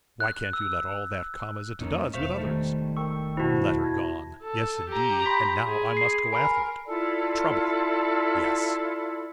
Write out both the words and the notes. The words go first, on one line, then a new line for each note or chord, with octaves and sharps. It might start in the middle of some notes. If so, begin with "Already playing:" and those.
Why can't you let all that come as it does with others?' 'Letter gone;--yes indeed, and now I must go after it.' 'Trouble!--yes!
F#6
E6
F2 A#3 C#4 D#4
E1 D#4 C5 E5 F5 C#6
D#3 G3 A3
A#4 G5 C#6 E6
F2 B2 E4 F#4 C5 D#5 A5
A5 G#6 A#6
A4
G4 A#5
B5 C6 B6
G#4
C7
A#4 G#5 B5
E4 F4 A4 D5